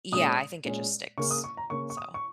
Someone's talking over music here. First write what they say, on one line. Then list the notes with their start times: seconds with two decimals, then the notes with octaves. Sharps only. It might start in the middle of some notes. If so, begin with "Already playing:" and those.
Yeah, I think it just sticks, so
0.12 A#2 G#3 C#4 D#6
0.65 A#2 G#3 C#4
1.18 C#3 A#3 C#4 C#6
1.31 D#6
1.44 C#6
1.57 A#5
1.70 C#3 A#3 C#4 C#6
1.90 C#6
1.97 D#6
2.14 C#6